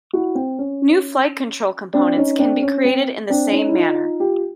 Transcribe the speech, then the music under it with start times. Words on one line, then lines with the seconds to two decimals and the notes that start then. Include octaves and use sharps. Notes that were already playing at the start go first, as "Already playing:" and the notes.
New flight control components can be created in the same manner.
0.13 E4 F#4
0.35 C4
0.59 C#4
1.93 C4 D4
2.17 C#4 D#4
2.39 C4 D4
2.62 C#4
2.85 C4
3.30 C4 D4
3.52 C#4 D#4
3.68 E4
3.75 D#4 F4
4.20 F4 G4